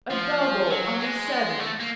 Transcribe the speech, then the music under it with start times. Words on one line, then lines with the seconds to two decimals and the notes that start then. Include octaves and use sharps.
"A 'double' on the seven!"
0.11 F3
0.70 F#3
1.00 G#3
1.60 A3
1.80 A#3